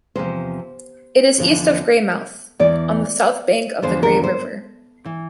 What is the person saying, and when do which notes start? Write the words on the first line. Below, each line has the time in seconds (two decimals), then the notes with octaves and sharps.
It is east of Greymouth, on the south bank of the Grey River.
0.15 E2 C3 F3 C5
1.38 E2 D3 F3
2.59 E2 E3 D5
3.82 E2 D3 F3 C5
4.03 A#4
4.24 C5
5.05 E3